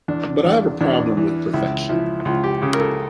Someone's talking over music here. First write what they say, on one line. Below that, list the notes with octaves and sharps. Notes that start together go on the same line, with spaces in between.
But I have a problem with perfection.
E2 D4
E2 D4
E2 D4
E3
C#2 E4
F3 E4
C#2 F4
G4
C#3 G4
A#4
A4